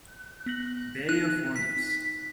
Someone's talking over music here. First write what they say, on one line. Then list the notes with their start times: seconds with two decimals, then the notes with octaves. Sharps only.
Day of wonders!
0.46 B3 A#6 F#7
1.09 D#4 F#6
1.56 B6